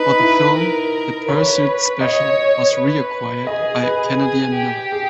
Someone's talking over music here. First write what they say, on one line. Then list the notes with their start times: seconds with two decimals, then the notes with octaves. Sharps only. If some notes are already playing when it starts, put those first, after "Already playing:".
For the film, the Pursuit Special was reacquired by Kennedy and Miller.
Already playing: D#4 B4
0.19 E4
0.56 A#4
1.28 B4 C#5
2.01 C#5 D#5
2.74 B4
3.46 G#4 D#5
3.83 B4
4.19 G#4
4.55 G4
4.92 G#4